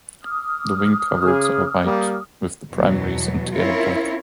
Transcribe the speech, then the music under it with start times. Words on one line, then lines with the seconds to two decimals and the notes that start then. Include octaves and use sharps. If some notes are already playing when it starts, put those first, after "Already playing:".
The wing coverts are white with the primaries and tail black.
0.23 D6 D#6 F6
1.26 C#3 G#4
1.85 G3 A#3
2.71 E2 B2 E3 F#3
3.53 C4 C#4 E4 F4 A#4 C#5